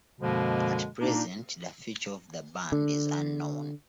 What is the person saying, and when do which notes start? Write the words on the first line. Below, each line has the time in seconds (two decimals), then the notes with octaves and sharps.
At present the future of the band is unknown.
0.20 F#2 B2 D3 F3 G#3 A#3
1.00 A#2 A#3 D4 D#4
2.72 D3